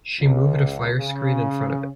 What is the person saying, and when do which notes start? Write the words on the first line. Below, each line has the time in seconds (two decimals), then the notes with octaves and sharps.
She moved a fire-screen in front of it.
0.19 C#2
0.97 C#3